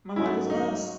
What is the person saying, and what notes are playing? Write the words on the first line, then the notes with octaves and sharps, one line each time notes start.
My life is a mess.
G#2 F#3 C#4 E4 F#4
D#4